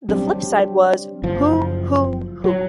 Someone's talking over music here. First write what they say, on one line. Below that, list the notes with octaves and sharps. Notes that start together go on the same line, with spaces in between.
The flip side was "Who Who Who".
F#3 G3 C4 D4 G4
F#1 F3
F#3